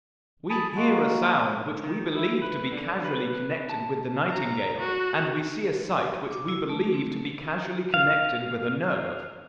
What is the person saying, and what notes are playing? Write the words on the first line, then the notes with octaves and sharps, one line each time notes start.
We hear a sound which we believe to be causally connected with the nightingale, and we see a sight which we believe to be causally connected with a nerve.
G#4 A5 B5
G#3 A#3 F#4 F5 A#5
D#3
E4
B4
D3
B4
A5
A#5
F#4
D6
E4
A3
C4
F5